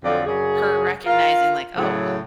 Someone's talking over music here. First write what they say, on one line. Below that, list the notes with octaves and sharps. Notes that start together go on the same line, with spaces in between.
her recognizing, like, "Oh,
F2 D3 F3 F#3 D5
F#2 C#3 C#4 G#4
F4 A#4
A2 C#3 F#3